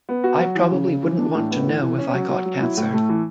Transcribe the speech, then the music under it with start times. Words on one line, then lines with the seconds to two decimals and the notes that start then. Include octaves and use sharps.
I probably wouldn't want to know if I got cancer.
0.09 B3
0.24 F#4
0.40 F#3
0.55 E3
0.71 C#3
0.87 C#3
1.03 E3
1.19 D4
1.35 A2
1.51 B3
1.67 E3
1.83 E3
1.98 C#4
2.14 F#3
2.29 F#3
2.46 F#3
2.61 E4
2.77 A2
2.94 A3
3.09 E3